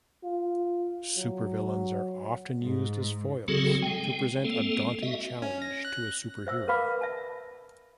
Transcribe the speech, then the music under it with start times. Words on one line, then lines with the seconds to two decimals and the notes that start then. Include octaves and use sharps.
Supervillains are often used as foils to present a daunting challenge to a superhero.
0.23 F4
1.17 F#3
2.61 G#2
3.48 C#3 F#3 C4 F#4 G#4 A4
3.82 G#3 G5
4.44 G#3 A#3 C4 A4
5.02 F#4 D#5 E5
5.42 C#4
5.62 A#6
5.85 F#6
6.47 C5 E5 E6
6.68 A#4 B4 F5 B5 D6
7.01 E5 A5